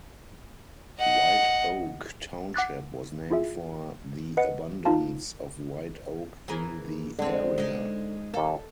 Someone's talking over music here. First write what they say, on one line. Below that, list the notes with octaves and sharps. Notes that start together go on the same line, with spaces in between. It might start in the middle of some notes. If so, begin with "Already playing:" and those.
White Oak Township was named for the abundance of white oak in the area.
D#5 F#5
F#5 D6 F#6 A6
E4 F4 G#4 E5
B4 D#5 F#5 C#7
D#4 F4 F5 A5
E3 G#4 A#4
D3 G#3 C4
G#3 D#4
D#2 A#3 A4